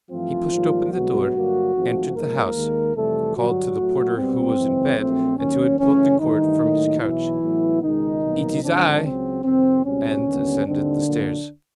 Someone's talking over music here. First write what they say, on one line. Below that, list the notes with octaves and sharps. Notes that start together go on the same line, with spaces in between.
He pushed open the door, entered the house, called to the porter who was in bed and who had pulled the cord from his couch: "It is I!" and ascended the stairs.
G2 E3 F3 A3 C4 F4
G#2 D#3 G3 A#3
C2 B2 F#3 G#3 B3 F#4
G2 D3 F#3 A#3
G#1 G#2 F3 A3 C4
G#2 F3 G#3 A#3 A#4
D#2 D#3 G#3
F2 C3 E3 G3 A3 A4
G2 D3 F#3 G3 F#4
A2 F#3 A3
B1 B2 G3 B3 C4
G#1 F#2 C#3 E3 G#3
A#1 A#2 F#3 A3 C4
D#2 D#3 F#3 A#3 C#4
F#2 C#3 E3 A3 C#4
G2 D#3 E3 A3 D#4
A2 F#3 A#3
B1 B2 E3 F#3 E4
A2 F#3 B3
C#2 B2 D#3 G#3 D#4
C2 B2 F#3 A#3
G#2 D3 F3 G#3 C4 D4
C#2 C#3 F#3 C4
F2 C3 D#3 C4
C#2 B2 G3 C4 C#4
D#2 D3 G3 B3
D#2 D3 D#3 G3 C4 D4
A#1 A#2 F#3 A#3